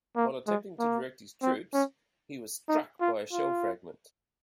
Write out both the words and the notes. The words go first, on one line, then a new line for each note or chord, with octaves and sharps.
While attempting to direct his troops, he was struck by a shell fragment.
A#3
G#3
A#3
C4
C#4
D#4
F4
F4